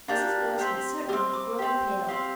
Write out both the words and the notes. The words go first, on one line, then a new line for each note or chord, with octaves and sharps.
Mrs. Boyce had certainly grown pale.
A#3 D4 G4
C4 G4
G4 F6
C4
D6
C4 G4
C4 G4 F5